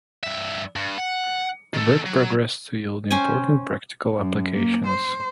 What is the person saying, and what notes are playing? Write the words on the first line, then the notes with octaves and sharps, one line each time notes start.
The work progressed to yield important practical applications.
G2 E5
G2
F#5
D#3 A4
F#3
C#4 C5 G5 G#5
F#2
A#3
C5